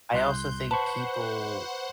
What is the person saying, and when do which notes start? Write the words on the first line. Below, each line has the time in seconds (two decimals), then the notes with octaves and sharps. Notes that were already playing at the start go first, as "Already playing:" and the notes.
I also think people,
0.13 C2 C6 F#6 G6
0.71 B4 C5 F#5 A5 B5 C#6